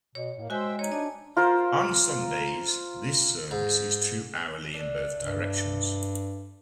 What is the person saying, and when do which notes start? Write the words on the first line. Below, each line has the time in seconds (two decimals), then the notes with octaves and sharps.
On Sundays, this service is two hourly in both directions.
0.15 B2 C#5
0.38 A2 A#3
0.50 G#3 F#4 C5 E5 G5 G#5
0.79 D#4 C#5 G#5
0.92 D4 D#5
1.37 F4 A#4 C5 C6
3.51 G#2
4.74 A3 D4
5.22 G2